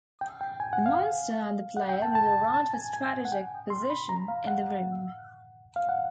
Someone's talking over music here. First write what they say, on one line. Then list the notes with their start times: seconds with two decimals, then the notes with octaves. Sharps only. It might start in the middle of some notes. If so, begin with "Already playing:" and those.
The monster and the player move around for strategic position in the room.
0.21 G5
0.41 G5
0.60 G#5
0.73 F#5
0.86 F5
1.77 F#5
1.89 G5
2.02 A5
2.15 A5
2.54 A5
2.74 G#5
2.93 G#5
3.25 F#5
3.32 G5
3.70 C6
3.90 B5
4.09 A#5
4.28 F5
4.47 F#5
5.76 F5
5.89 F#5